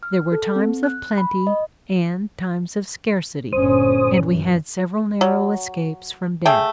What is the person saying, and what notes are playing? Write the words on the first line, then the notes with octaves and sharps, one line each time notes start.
There were times of plenty and times of scarcity, and we had several narrow escapes from death.
F6
A4
C4
F#6
B5
D#5
G1 A#2 C#4 C5 D#6
F#2 E3
F#3
A3 G#4 G5